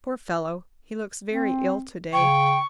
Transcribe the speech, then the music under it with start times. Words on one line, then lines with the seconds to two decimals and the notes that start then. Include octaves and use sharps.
Poor fellow, he looks very ill to-day.
1.31 C4
2.13 C#3 G5 C#6